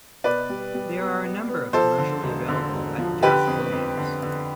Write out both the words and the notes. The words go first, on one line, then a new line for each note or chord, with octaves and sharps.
There are a number of commercially available wet gas flow meters.
B2 B4 D5
G3
G3
B3
B3
B3
F3 A4 C5
D3
E1
D3
E1
F3
D3 G4 B4
F2
F2
D3
D3